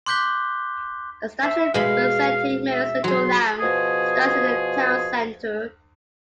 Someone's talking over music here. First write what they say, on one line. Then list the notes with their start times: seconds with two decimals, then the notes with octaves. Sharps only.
A statue representing Mary's Little Lamb stands in the town center.
0.06 C6 D6 F#6 G6 B6 G7
1.43 C5 E5
1.74 B2 G#3 F5 B5
2.71 E5
3.04 F#3 G#4 C6
3.60 B2 F3 G#4